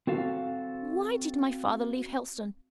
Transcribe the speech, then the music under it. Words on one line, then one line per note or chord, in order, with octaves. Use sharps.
Why did my father leave Helstone?
C4 F#4 A4 F5